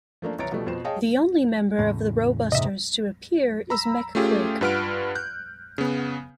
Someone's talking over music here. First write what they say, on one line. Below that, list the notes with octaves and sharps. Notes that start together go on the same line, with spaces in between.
The only member of the Ro-busters to appear is Mek-Quake.
F3 A3 A#3 D4
C2 E3 C#5 A#5 A6 D7
B2 F3 G3 A3
F2 B2 C5 E7
G#4 C#5 D#5 F5 G5 A5
E2 A2 C#3
G#2 C3 D#5 E5
A#5 B5 E6
A3 C#4 F4 G4 G#4
G2 F4 B4 F#5 F6 D7
F#6 G6
C#3 B3